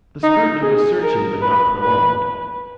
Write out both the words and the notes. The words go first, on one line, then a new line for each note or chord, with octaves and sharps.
The scrutiny was searching but not prolonged.
D#4
G#4
A#4
B4
B4